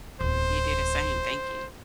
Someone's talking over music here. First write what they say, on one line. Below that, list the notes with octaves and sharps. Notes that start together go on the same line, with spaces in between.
You do the same, thank you.
D1 E2 C5